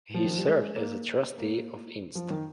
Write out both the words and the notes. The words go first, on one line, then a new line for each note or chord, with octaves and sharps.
He serves as a Trustee of Inst.
F3
D#3
F3
G3
G#3
A#3
A#3
F3
D#3